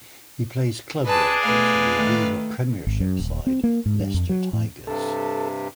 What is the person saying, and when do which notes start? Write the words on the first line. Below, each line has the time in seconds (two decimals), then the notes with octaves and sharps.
He plays club rugby for the Aviva Premiership side Leicester Tigers.
1.05 G#3 D4 G#4 B4 D5 A5
1.43 B2 A3 B4 F5
1.93 D#3 A3
2.87 G#1
3.00 F#2
3.19 D#1
3.47 C4
3.64 A#3
3.86 G#2
4.00 G2
4.14 F2
4.29 F#3
4.53 A2
4.87 G2 C3 A4